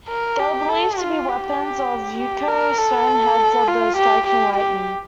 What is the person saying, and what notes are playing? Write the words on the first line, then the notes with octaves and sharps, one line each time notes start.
They were believed to be weapons of Ukko, stone heads of the striking lightning.
A#4
G4
A4
F4
G4
G4
A#4
A4
F4
G4
G4
G4